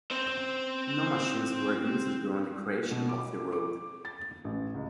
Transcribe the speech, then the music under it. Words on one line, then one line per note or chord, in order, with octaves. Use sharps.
No machines were used during the creation of the road.
C4 C5
B2
D6
D6
A6
A1
C#2